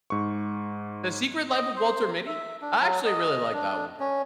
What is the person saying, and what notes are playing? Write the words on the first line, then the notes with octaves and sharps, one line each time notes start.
"The Secret Life of Walter Mitty?" I actually really like that one personally.
G#2 C#6
D#5
C5
E5
D4
F#3
D#5
D4
C#4